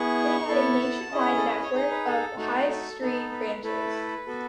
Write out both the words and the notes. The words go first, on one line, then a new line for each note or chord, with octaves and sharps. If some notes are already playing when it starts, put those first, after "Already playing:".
They had a nationwide network of high street branches.
Already playing: B3 E4 G#4 C#6
B3 E4 A4
A5
C#4 E4 G#4 D#5
A4
B4
C#5
D#4 G#4 D#5
B4
A4
A3 D#4 F#4 A4
A4
B3 D#4 A4
B4
A3 E4 A4 B4
B3 F#4 A4